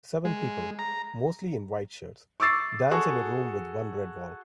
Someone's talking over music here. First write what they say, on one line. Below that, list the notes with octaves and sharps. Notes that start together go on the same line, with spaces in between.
Seven people, mostly in white shirts, dance in a room with one red wall.
G#3
A#5
C#6 D6 E6 A6 C7
F#4 G#4 A4 C#6